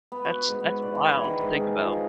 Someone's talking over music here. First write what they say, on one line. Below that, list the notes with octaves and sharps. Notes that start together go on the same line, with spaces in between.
That's that's wild to think about.
B3
F#4
G#2
B3
D5
E3
E4
D#3
G#2
G#4
F3
D#4